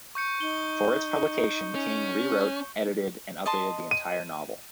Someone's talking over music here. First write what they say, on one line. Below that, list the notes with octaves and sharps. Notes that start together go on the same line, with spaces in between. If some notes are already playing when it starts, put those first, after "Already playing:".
For its publication King rewrote, edited, and updated the entire novel.
C#6 G6 C#7
D#4 G7
C#4
D#5 A5 C6
D#7